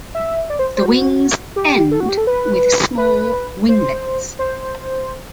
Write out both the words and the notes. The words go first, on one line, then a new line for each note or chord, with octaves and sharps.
The wings end with small winglets.
E5
D5
C5
C5
F#4
G4
A4
F#4
G4
A4
B4
B4
C5
C5